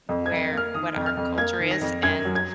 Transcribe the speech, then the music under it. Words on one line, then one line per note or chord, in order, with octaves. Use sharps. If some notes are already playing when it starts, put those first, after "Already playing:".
where what our culture is, and,
F2
G#6
F2
A#3
F6
D#3 D#6
F2
F6
F2
A#3 G#6
D#3
A#6
F2
F#2 G#6
F#3
G#6